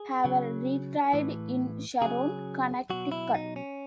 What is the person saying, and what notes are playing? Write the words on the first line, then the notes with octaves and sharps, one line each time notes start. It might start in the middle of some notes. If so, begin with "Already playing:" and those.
Haver retired in Sharon, Connecticut.
Already playing: G#4
C#3 F#3
A2 E3
C#3 F#3 G#4
B2 F#3 F#4
E4
D#4
C#4